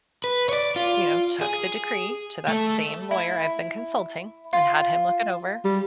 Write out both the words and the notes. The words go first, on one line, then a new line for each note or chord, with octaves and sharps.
you know, took the decree to that same lawyer I've been consulting, and had him look it over,
B4
C#5 D5
F4
G#4
A3
E4
F4
G3